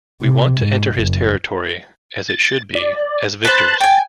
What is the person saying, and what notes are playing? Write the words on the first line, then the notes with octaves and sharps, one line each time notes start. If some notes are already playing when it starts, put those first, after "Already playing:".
We want to enter his territory as it should be, as victors.
C3
G#2
F#1
A6
D5
B4 C5 A5 F#6 A6
G5 G#5 A6